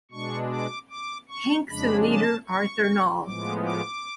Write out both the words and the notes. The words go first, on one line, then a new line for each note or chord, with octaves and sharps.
Hanks, and Leader, Arthur Nahl.
B2 G#3 D4 C#6
D6
D6
C#6
F2 C#3 G#3 D4 B5
A5
C#6
A2 F3 G#3 B3 D6
D6